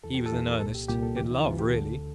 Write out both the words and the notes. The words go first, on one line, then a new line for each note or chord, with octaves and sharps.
He was in earnest: in love, really.
E2 E3 A4
G4
A4
E2 E3
A#4
C2 A#2 A4
G4
C2 A#2 G4
A4
D2 C3 E3 G4
E4
D2 C3 E3 F4
G4
D2 D3 A4